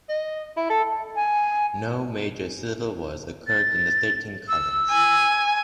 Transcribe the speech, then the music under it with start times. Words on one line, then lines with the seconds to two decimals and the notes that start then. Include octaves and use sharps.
No major civil wars occurred in the thirteen colonies.
0.09 D#5
0.57 E4
0.70 A4
1.16 G#5
3.48 A6
4.48 E6
4.91 G#5